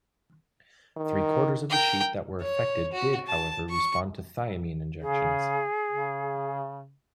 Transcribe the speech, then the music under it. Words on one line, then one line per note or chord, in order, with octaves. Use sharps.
Three-quarters of the sheep that were affected did however respond to thiamine injections.
D#3
A#4 G5
C#5
F#4
A5
C#6
C#3 G#4
C#3